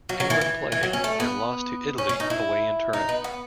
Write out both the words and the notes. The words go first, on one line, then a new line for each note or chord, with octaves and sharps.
England played, and lost to, Italy away in Turin.
F#3
F#3
E3
E3
E3
F#3
C#4
A3
B3
C#4
C#4
D#4
E4
D#4
B3
B3